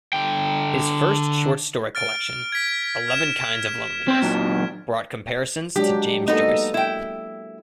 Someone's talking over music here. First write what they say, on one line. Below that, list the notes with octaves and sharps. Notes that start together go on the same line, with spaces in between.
His first short story collection, "Eleven Kinds of Loneliness", brought comparisons to James Joyce.
D3 G5
F6 A6 D7
G#6 B6
F6 E7
C4 C5
A#2 F#3
F#3 G#3 D4 G4
A#3 B3 D#4 A4
E4 G5